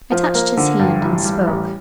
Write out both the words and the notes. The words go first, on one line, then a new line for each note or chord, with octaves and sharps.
I touched his hand, and spoke.
F3
A#3
D3
G2
A1
G3
A1